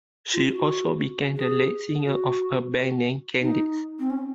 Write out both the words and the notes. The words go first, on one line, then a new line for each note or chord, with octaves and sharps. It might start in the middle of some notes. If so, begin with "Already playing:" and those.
She also became the lead singer of a band named Kendix.
F4
F#4
G#4
F#4
D#4
C4
C#4